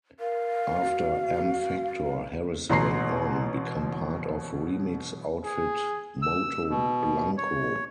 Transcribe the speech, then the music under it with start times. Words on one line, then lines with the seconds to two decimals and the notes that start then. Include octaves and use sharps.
After M Factor, Harrison went on become part of remix outfit Moto Blanco.
0.20 A#4 F5
0.81 F#4
2.69 A1 B2 A#5 C6 C7
5.44 G#4
6.22 E6
6.70 B2
7.37 C#5